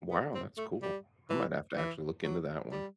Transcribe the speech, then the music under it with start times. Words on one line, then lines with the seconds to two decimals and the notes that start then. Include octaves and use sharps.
Wow, that's cool. I might have to actually look into that one.
0.11 B3
0.35 C4
0.58 A3
0.82 G3
1.30 E3
1.77 E3
2.24 F#3
2.72 G3